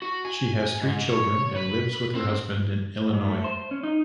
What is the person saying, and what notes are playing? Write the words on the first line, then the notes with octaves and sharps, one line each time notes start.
She has three children and lives with her husband in Illinois.
F#4
G#5
G#2
C#5
B4
C4
G#2
A3
C5
C#4
D#4